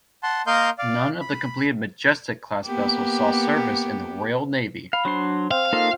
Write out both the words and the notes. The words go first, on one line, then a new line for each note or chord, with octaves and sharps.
None of the completed "Majestic"-class vessels saw service in the Royal Navy.
F#5 A5 C6
A#3 A#4 D#5 F5 C6 G6
D5 F5
B5
A#3 B3 G4
F5 B5
F#3 D4 C5 C6
C4 F5
A#3 D#4 F4 A4